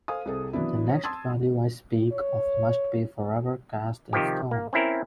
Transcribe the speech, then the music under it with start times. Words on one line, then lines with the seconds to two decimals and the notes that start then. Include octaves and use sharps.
The next value I speak of must be forever cast in stone.
0.08 A4 C5 F5 G#5 D#6
0.25 C2 C3 G#4 A4
0.53 E3 F#3 B3 D4 E4
0.89 C#5
1.04 A5 C6 D#6 E6 G#6 A6
2.13 C#5
4.13 C3 D#3 F3 G4
4.51 A#3
4.73 C4 C#4 E4 A#4